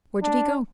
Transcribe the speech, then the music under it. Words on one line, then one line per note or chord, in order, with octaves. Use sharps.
Where did he go?
D4